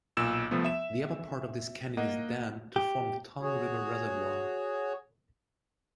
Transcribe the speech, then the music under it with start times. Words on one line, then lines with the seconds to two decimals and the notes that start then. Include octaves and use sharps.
The upper part of this canyon is dammed to form the Tongue River Reservoir.
0.17 B1 A#2 E6 E7
0.51 C2 F3 A3 B3
0.64 E5 E7
1.97 A#3 D#5 F#5
2.76 G4
3.41 F#4 G#4 C#5